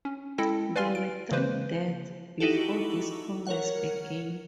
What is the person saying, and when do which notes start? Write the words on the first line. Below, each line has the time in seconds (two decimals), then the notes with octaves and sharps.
There were three deaths before this Congress began.
0.05 C#4
0.38 G#3 E4 A4 G5 A5 A#6
0.76 B4 D5 F5 G#5 C6 F6
0.95 D7
1.31 C#3 E3 G#3 A#3 B4 C5
2.40 D#4 E4 F#4 G4 A4
3.47 A#4 C#5 F#5